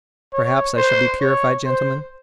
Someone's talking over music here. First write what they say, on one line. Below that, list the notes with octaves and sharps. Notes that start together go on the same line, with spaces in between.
Perhaps I shall be purified, gentlemen?
C#5
C5
C#5
C5